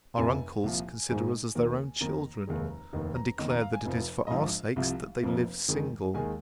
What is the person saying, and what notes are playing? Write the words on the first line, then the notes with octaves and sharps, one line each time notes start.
Our uncles consider us as their own children, and declare that it is for our sakes that they live single.
F1 F2 C3 F3 G#5
C2 A#2 F3
G#1 G#2 G#3 G#5
D#2 D#3 A#3
F2 D#3 A#3 A#5
F1 D#2 D#3 G#3
F1 D#2 D#3
A#5
F2 D#3 A#3 D#5
A#5
F5
G#5
F1 F2 F3
D#5
A#1 G#2 F3 F5
C2 C3 F3
F1 F2 F3 A#3
F2 D#3 G#3
D#2 D#3 G#3 G#5